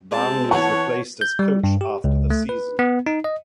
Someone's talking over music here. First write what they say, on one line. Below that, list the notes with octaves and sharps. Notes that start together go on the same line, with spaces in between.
Baun was replaced as coach after the season.
G#3 C4 A5
E3 C#5 F#5 A5 C#6
G6
G3
G2
G4
C#2
A3
B4
B3
D#4
D#5